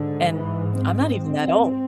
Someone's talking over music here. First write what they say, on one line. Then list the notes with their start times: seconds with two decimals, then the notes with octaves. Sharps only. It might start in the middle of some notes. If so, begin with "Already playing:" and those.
and I'm not even that old.
Already playing: G#2 D3
0.32 E3
0.79 C4